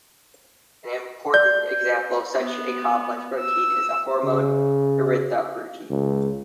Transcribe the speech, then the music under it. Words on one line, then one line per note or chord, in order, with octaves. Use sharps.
An important example of such a complex protein is the hormone erythropoietin.
D5 G6
B3
E6
C#3
C#2